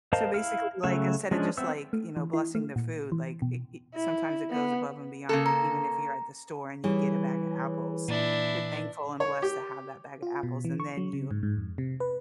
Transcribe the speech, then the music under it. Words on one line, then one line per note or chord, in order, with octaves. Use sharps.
So basically, like, instead of just, like, you know, blessing the food, like, it it sometimes it goes above and beyond, like, even if you're at the store and you get a bag of apples, you're thankful and blessed to have that bag of apples, and then you,
A#4 C5 D#5 F5 A5
E4 F5 F6
C#3 F#3 A3 E5
F3 G#3 C#4 D4
B3 C4 E5 E6
A3
E3
E4
A3
A#2
E3
B2
E4
B3
C#3 A#3 A4
A#5
E3 G3 G#4 C#5
A#2 D4 E4
C#5
G4
F4
B2
E3
C#6
F#3
C#3
G#2
G#2
F2
C3
B4